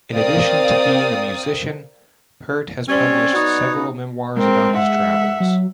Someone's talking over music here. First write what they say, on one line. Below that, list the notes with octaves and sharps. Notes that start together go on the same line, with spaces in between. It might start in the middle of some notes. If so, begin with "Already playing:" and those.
In addition to being a musician, Peart has published several memoirs about his travels.
C4 A#4 D5 F5 D#6
G3 C4 C#4 C#5 D5
B3 D#4 F#4
G#3 C4 A#4
E5 F#5
F#3